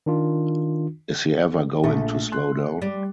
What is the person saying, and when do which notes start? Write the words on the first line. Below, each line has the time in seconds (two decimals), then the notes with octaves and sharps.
Is he ever going to slow down?
0.06 D#3 D4 F4
1.84 A#1 A3
2.32 C6 F#6
2.82 G3